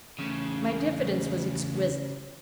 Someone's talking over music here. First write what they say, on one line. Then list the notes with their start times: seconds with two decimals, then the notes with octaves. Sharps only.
My diffidence was exquisite.
0.19 E2 C#3 A3